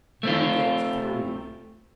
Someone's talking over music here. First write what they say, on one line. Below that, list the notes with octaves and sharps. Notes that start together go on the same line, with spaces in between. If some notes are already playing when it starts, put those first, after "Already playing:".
"You get three."
A3 C4 F4